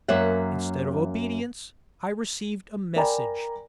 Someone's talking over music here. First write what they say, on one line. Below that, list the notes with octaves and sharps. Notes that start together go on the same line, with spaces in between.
Instead of obedience, I received a message.
F#2 A#3 C#5 E5 F#5
A#4 D5 G5 G#5 A#5 B5